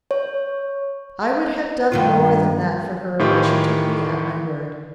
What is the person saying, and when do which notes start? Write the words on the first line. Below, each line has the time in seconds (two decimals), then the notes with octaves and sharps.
I would have done more than that for her, but she took me at my word.
0.11 C#5
1.92 G2 D#3 F4
3.19 A2 D#3 E3 E4 F4 G4